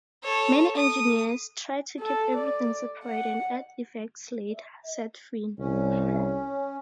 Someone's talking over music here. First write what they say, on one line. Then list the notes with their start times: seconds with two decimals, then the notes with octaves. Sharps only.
"Many engineers try to keep everything separate and add effects later," said Finn.
0.23 A4 C#5
0.76 D#6
2.00 A4
2.37 D5
3.05 F#5
5.59 C2 C#4